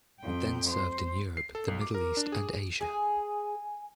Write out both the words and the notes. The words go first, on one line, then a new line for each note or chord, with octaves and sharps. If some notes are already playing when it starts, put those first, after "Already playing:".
It then served in Europe, the Middle East and Asia.
F2 G5
C5
C7
A4
B1
D6
A#4
D4
G#4
G#4 G#5